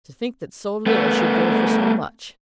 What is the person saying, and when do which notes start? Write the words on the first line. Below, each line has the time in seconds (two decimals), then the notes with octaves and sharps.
'To think that so little should go for so much!
0.86 A3 B3